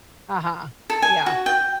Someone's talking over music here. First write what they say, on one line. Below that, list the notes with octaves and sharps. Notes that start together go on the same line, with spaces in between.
Uh-huh, yeah.
A4
G#5
F#4
G5